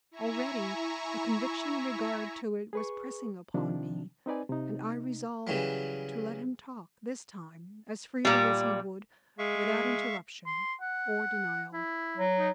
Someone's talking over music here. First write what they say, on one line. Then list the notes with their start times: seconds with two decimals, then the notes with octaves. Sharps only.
Already a conviction in regard to it was pressing upon me, and I resolved to let him talk, this time, as freely as he would, without interruption or denial.
0.11 E4 E5 G#5 A#5 C#6
2.73 G#4 B4 C#6
3.54 C3 D#3 F3 C4 D4
4.26 C4 D#4 B4 D5 G#5
4.49 C3 D#4
5.47 C#3 E3 F#3 G3
8.25 A#2 G3
9.39 G#3 E5 F5 C#6
10.46 C6
10.81 F#5
11.73 E4
12.17 F#3
12.38 D#4